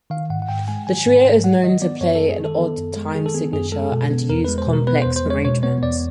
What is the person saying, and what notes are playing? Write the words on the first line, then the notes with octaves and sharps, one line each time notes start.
The trio is known to play in odd time signatures and use complex arrangements.
D#3 F5
G#2 F#5
F#5
G#2 G5
G#3 G#5
D#3 G#5
G#2
G#2
G#3 F#5
D#3 D#5
B3 D5
F#2 C#5
A4
G#3
G#4
D#3
A4
B3
F#2
G#3
D#3 G#4
A4
B3 G#4
F#2 G#4
G#3 A4
B2
B3
E2 A#4
G#3 B4
C5
B2
A#4
B3 B4
E2 C5
C5
G#3 C#5
B2 C#5
B3 C#5
E2 D5